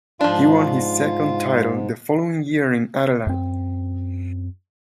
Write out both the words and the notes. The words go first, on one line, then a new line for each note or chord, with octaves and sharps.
He won his second title the following year in Adelaide.
G#2 F3 D4 F4
F#2 C4